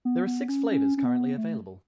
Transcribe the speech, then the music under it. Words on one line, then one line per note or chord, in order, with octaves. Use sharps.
There are six flavors currently available.
B3
B3
C#4
C#4
C#4
B3
A3